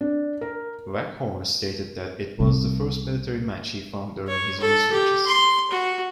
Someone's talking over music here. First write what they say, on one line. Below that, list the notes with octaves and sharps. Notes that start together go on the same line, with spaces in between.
Waghorn stated that it was the first military match he found during his researches.
D4
A#4
C2
C#5
A4
G4
C6
F#4